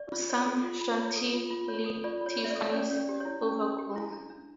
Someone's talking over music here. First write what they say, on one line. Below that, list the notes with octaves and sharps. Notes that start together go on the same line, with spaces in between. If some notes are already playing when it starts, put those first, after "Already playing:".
Some Chantilly-Tiffanys' overgroom.
Already playing: D5
F4
C#5
A4
F4
F4
C#5
A4
F4
F4
C#5
A4
F4 D5
F4
C#5
C#5
E5
D5
A4
C#5
C#4 D5
C#4
D5
G4
E4 C#5
C#4
C#4
G4
E4
D4
D4